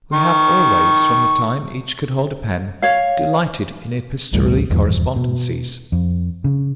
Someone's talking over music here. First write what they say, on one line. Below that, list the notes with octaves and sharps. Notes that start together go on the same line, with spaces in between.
We have always, from the time each could hold a pen, delighted in epistolary correspondencies.
D#3 C#6
C#5 F5
A1 D2 A2 G3
D#1 E2 G2
B2
F2
C#3